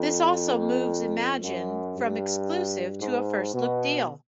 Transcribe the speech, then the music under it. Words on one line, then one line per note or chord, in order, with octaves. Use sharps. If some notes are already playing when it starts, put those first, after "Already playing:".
This also moves Imagine from exclusive to a first look deal.
Already playing: F2
F#2
G2
G#2
B2